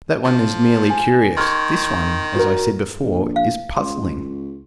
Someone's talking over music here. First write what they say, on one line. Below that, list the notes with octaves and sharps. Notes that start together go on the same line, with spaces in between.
"That one is merely curious; this one, as I said before, is puzzling."
F3
G#5
D#3 C6 C#6 F6 G#6
F#4 A#4
A#1
F5
C#2 C6